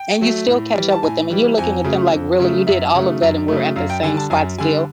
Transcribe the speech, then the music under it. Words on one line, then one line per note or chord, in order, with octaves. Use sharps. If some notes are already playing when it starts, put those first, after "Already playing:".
and you still catch up with them and you're looking at them like, "Really, you did all of that and we're at the same spot still?"
Already playing: G5
F#3 A3
A2
E3 G3
A5
A2 G#5
E3 G3
F2 G#5
C#3 F#3 A3
F2
C#3 F#3 A3
F#2 E5
C#3 F#3 A3
F#2
C#3 F#3 A3
F#2 F5
G5
D3 G3 G#5
A5
F#2 G#5
D3 G3 G#5